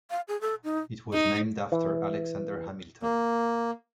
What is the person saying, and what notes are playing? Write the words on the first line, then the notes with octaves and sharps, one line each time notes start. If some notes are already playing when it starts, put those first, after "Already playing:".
It was named after Alexander Hamilton.
F5
G#4
A4
D#4
D#4
E3
A#3